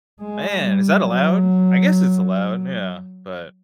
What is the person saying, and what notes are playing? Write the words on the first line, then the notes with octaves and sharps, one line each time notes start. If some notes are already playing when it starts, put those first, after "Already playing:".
Man, is that allowed? I guess it's allowed, yeah, but
G#3
G3
F#3